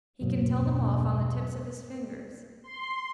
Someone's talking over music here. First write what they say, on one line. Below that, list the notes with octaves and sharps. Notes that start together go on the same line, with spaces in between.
He can tell them off on the tips of his fingers.
E2 G2 B2 F#3 A#3
C6